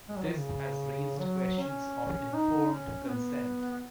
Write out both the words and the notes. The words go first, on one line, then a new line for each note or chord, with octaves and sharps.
This has raised questions of informed consent.
G#3
F#3
D#3
C#3
F#3
C#4
D#4
C#4
C#4
B3